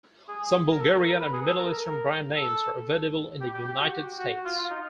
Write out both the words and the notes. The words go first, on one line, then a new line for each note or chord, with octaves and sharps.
Some Bulgarian and Middle Eastern brand-names are available in the United States.
G#4
A#4
A4
A#4
A#4
B4
G#4
A4
A#4
A#4
A#4
A4
G4
G4
G4
F#4
G4
F#4
F4
F4
D#4